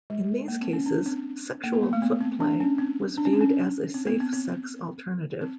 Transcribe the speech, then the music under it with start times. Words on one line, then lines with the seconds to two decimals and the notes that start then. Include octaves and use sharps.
In these cases, sexual foot play was viewed as a safe-sex alternative.
0.10 G#3
0.48 A#3
0.61 C4
0.73 C#4
0.86 D4
1.06 C4
1.64 A#3
1.73 B3
1.83 A#3
1.93 A3
2.02 B3
2.21 C4
2.40 D4
2.60 C#4
2.78 C4
3.18 D4
3.25 C#4
3.33 C4
3.41 C#4
3.94 C4
4.07 B3
4.20 C4
4.33 C4
5.41 C4